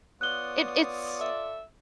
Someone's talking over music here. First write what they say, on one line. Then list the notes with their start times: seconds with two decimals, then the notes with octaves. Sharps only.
it it's
0.21 B3 F4 C#5 D5 D#6 F#6 G7
1.19 A4 E5